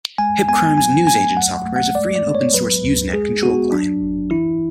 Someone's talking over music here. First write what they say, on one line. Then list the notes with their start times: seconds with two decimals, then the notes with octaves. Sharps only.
HipCrime's Newsagent software is a free and open source Usenet control client.
0.18 G#3 G#5
0.48 B3 G#5
0.78 F#3 G#5
1.07 A3 G#5
1.36 F#3 F#5
1.65 A3
1.76 F#5
1.95 G#3 D5
2.15 D5
2.25 B3
2.35 C#5
2.54 F#3 B4
2.84 D2
3.13 G#3 G#4
3.42 B3 F#4
3.72 F#3 D4
4.02 G#1
4.31 E3 E4